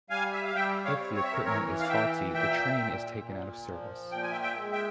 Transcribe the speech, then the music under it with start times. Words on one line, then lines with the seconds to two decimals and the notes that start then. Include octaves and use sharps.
If the equipment is faulty the train is taken out of service.
0.10 G3 F5 G#5
0.33 E5
0.44 F5
0.55 G3 E5 G5
0.85 C#5 F5
0.99 C4
1.15 C#5
1.24 E5
1.33 A#4 C#5
1.44 E3 A#4 C#5
1.79 F5
1.89 E3 E5 G5
2.34 A#2 E5 G5
2.78 A#2
3.23 A#2
3.68 F3
4.12 A#2 G5
4.22 G#5
4.32 E5 G5
4.42 E5 G5
4.57 G#3
4.72 E5 G5